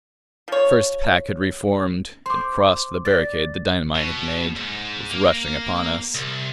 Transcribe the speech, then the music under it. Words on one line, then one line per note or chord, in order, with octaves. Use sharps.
The first pack had re-formed; had crossed the barricade the dynamite had made; was rushing upon us.
F3 C#5
C5 C6 D6
D5 A6
B2
G#2
A#3
C2